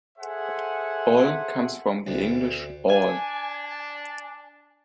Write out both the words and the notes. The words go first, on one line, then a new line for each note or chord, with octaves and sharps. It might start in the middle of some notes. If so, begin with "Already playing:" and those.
"Ol" comes from the English "all".
G#4 A4 C5 E5 F#5 G#5
D2
D4 G#5